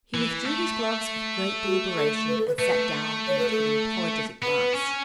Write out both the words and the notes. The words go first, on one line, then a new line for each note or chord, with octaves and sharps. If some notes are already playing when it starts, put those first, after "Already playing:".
He withdrew his gloves with great deliberation, and sat down in it with an apologetic glance.
E3
A3
F#4
A4
B4
A4
B4
A3 B4
C#5
B4
A4
B3 B4
C#4